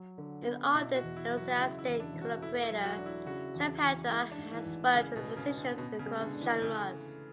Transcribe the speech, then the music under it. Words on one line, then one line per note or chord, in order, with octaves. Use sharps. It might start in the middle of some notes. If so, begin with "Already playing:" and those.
An ardent and enthusiastic collaborator, Shubhendra has worked with musicians across genres.
Already playing: F#3
D3
B3
B2 E4
F#4
E2
E4
F#3
F#4
C#3 E4
E4
E2
D4
E1
F#4
A3 E4
E4
F#3
F#4
D4
E4
C#3 F#4
E2
E3
G#3 E4
D4
G#2
E3
A1
C#3 G#3
B2
A2
C#3
C#4
D3
B2 B3
C#3
G#3
D3
D4
E3
C#3 A3